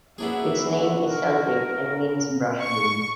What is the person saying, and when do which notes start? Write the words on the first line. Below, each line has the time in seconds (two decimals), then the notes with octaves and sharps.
Its name is Celtic and means "brushwood".
0.18 G#3 A#3 B3 C#4 D4 E4 F#4 G#4
1.06 E4 F4 A#4
2.61 C#6